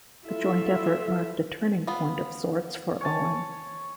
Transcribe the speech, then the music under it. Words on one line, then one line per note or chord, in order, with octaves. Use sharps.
The joint effort marked a turning point of sorts for Owen.
E4 F4 A4 E5
B3 F4
C#5 G#5 A5